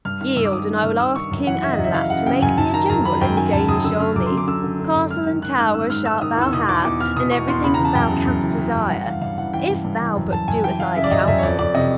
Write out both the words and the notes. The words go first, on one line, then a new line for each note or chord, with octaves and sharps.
"Yield, and I will ask King Anlaf to make thee a general in the Danish army. Castle and tower shalt thou have, and everything that thou canst desire, if thou but do as I counsel thee."
G2 F6
D#3 F6
G2 E6
D6
D#3 D#6
D#3
G2 F6
G2 E6
D#3 C#6
F#2
E3 F#5
C#3 E5
D#5
F#2
E5
E3 F5
C#3 F#5
C#3 G5
F#2 G#5
F#2 A5
D#3 A#5
F#2 A#5
D#3 B5
F#2 G5
D#3 G#5
F#2 A5
F#2 D#6
D3 E6
D3 F6
F#2 D6
C6
D3
D6
D3 E6
D3
D3
F#2
G#2 F6
D#3
D#3 F#6
G#2 F#6
D#3 E6
G#2 F6
G#2 E6
D#3 D#6
E2 E6
B2 D#6
E2 D6
E2 D6
E2 F6
B2 D#6
E2 C#6
E2 C6
C#3 B5
A#5
E3
A5
F#2 G5
C#3
F#2
E3
E3
F#2
G2 F#5
E3 F5
G2 F5
E3 F#5
E3 G5
G2
G2
E3
F#2
F#2 A5
F#2 G#5
E3 G5
E3 F5
C#3 E5
D5
F#2 D#5
F#2 E5
C#5
F2 D5
F2 D5
C3 D#5